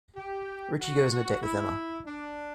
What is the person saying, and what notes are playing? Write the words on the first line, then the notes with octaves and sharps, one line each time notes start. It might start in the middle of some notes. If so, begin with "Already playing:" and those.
Richie goes on a date with Emma.
G4
F#4
F#4
E4
D4